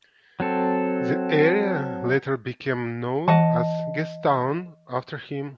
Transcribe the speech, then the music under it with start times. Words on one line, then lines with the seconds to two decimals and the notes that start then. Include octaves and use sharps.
The area later became known as Gastown after him.
0.40 F#3 C4 A4
3.28 E3 D#5 F#5 A5